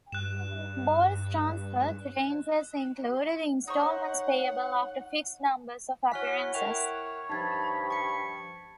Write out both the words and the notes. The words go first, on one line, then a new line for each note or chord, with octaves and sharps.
Ball's transfer to Rangers included instalments payable after fixed numbers of appearances.
G2 F#6 E7
D#4 C5 C#5 F#5 C#6
E4 F#4 C#5 F#5 G#5 F6 B6
A#4 C#5 E5 G5 F7
G2 F3 D#4 A5 B5 G#6 A6
C#6 C#7